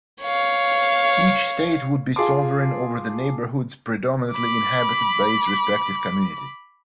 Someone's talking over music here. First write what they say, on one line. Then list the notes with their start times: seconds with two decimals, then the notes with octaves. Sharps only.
Each state would be sovereign over the neighborhoods predominately inhabited by its respective community.
0.22 C#5 F5
2.16 F4 G#4 A5 C6 D6
4.31 B5 D6